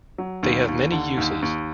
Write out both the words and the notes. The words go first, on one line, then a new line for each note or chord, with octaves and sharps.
They have many uses.
F#3
D#2
D#2
D3
D#2
D#2